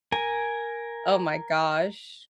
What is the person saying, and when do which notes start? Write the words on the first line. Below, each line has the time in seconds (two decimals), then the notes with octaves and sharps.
oh my gosh.
0.12 A#4 G#5